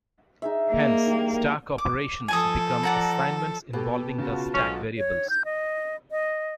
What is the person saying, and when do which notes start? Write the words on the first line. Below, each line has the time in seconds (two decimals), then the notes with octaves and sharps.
Hence stack operations become assignments involving the stack variables.
0.42 D#4 G#4 E5
0.72 A#3 D5
1.07 D#3 G3
1.78 D6
2.28 F3 A4 G#5 A5 D#6
2.83 D5 F#5 A#5
3.73 B2 G4 A4
4.18 C#3 F4 F#4 A5
4.54 B1 G#2 C#4
4.98 C#5
5.30 G6
5.45 D#5
6.11 D#5